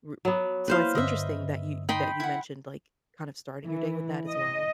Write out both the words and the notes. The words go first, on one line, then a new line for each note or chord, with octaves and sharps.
w w so, it's interesting that you that you mentioned, like, kind of starting your day with that as well,
F#3 B3
A#3 E4 B4 C5 F5
G2 D3 D#5 E5
D#4 G5 B5 C6
E4 F#5
E3
D#5